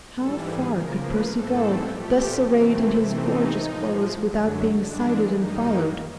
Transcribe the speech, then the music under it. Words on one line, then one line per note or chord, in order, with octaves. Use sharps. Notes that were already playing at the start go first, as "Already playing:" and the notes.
How far could Percy go, thus arrayed in his gorgeous clothes, without being sighted and followed?
G#2 E3 G3 A4
G#4
C#3 F3 A#3 A#4
B4
G#2 E3 A3 C4 A4
A#2 F3 A3 G4
C3 E3 A3 C4 F#4
E4
C3 E3 A3 C4 D#4
A2 F3 G#3
F#2 D3 F#3
G2 E3 G#3 D4
F#2 D#3 G3 A#3 D#4